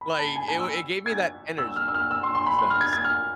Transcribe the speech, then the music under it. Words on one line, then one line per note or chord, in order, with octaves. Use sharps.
Like, it w it gave me that energy in a sense.
B5
A5
G#5
G#5
E6
G#6
E6
F6
E6
F6
E6
C6
C6
B5
C6
F6
G#6
G#6
F6